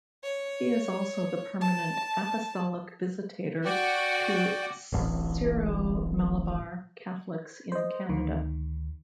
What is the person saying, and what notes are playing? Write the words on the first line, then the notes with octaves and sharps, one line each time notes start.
He is also the permanent Apostolic Visitator to Syro-Malabar Catholics in Canada.
C#5
A5
F#4 D5 G5
D1 A1
C5 D#5
D2 D#3